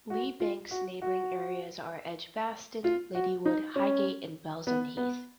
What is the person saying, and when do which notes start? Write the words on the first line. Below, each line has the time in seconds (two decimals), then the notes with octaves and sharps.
Lee Bank's neighbouring areas are Edgbaston, Ladywood, Highgate and Balsall Heath.
0.10 F#4
0.40 F4
0.71 F#4
1.02 F#4
2.84 F4
3.15 F#4
3.46 D#4
3.76 C#4
4.67 B3
4.97 B3